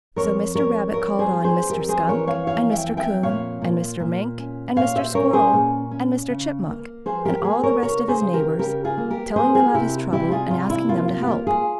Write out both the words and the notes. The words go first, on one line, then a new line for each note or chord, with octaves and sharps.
So Mr. Rabbit called on Mr. Skunk and Mr. Coon and Mr. Mink and Mr. Squirrel and Mr. Chipmunk, and all the rest of his neighbors, telling them of his trouble and asking them to help.
F2 A#4 C#5
G3 A#4 C#5
F2 A#4 C#5
G#4 C5
G3
G#4 C5
F2 G4 A#4
G#4 C5
E3 A#4 C#5
C#5 F5
F2 C#5 F5
E5 G5
F2
E5 G5
A#2 C#5 F5
A#2
A#2
C#4
A#2 C#5 F5
C5 E5
C#4 A#4 C#5
G#4 C5
A#2
C#4
C#3
A#3
F3 G#4 C5
G4 A#4
A#3 G#4 C5
A#4 C#5
C#3 A#4 C#5
G#4 C5
C#3
G4 A#4
C#3 G4 A#4
F4 G#4
A#3
G4 A#4
A#3 G#4 C5
F4 G#4
C3 E4 G4
G3 E4 G4
F4 G#4
C3 F4
E4
A#3 F4
F4
G4
A#3 F4
F4 G#4